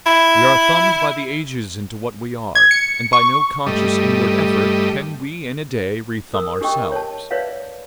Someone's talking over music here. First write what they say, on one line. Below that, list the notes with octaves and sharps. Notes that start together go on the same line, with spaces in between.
We are thumbed by the ages into what we are, and by no conscious inward effort can we in a day rethumb ourselves.
E4
G#6
C#7
C#6
G2 G3 A3 D#5
A#4 D#6
D4 G4 A#4 D#5 G5 C#6
C#5 A5
B4 C#5 D5 E5 F5